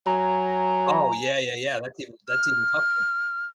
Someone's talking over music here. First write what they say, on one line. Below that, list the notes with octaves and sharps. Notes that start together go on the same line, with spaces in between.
Oh, yeah, yeah, yeah, that's even that's even tougher.
F#3 G#5 A#5
F6